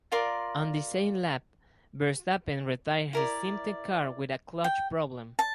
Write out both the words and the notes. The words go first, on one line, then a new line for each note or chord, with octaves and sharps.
On the same lap, Verstappen retired his Simtek car with a clutch problem.
F4 A#4 D5 C6
E4 A#4 D5
G5
A5